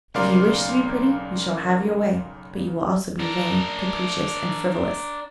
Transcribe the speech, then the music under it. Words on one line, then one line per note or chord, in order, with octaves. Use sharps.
If you wish to be pretty you shall have your way, but you will also be vain, capricious, and frivolous.
B1 C#3 A#4 D5 F5 C6
D4 A#4